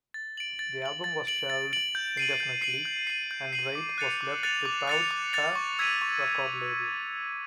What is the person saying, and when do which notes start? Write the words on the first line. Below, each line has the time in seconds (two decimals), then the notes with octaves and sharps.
The album was shelved indefinitely, and Raitt was left without a record label.
0.14 A6
0.37 D7 F#7
0.59 A6
0.82 D7 F#7
1.04 A6
1.27 D7 F#7
1.50 A6
1.73 D7 F#7
1.95 G6
2.17 C7 D#7 F#7
2.40 G6
2.62 C7 D#7 F#7
2.85 G6
3.07 C7 D#7 F#7
3.31 G6
3.53 C7 D#7 F#7
3.75 D6
3.98 F#6 A6 C#7 F7
4.21 D6
4.43 F#6 A6 C#7 F7
4.65 D6
4.88 F#6 A6 C#7 F7
5.11 D6
5.33 F#6 A6 C#7 F7
5.55 C#6
5.79 E6 G#6 B6 D#7
6.02 C#6